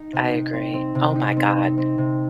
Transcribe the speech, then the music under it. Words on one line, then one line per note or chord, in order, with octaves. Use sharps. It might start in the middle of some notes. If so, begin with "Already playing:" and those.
I agree. Oh my god.
Already playing: D#4
C3
D#4
C4
C4
C3
D#4
C4
D#4
C4
C3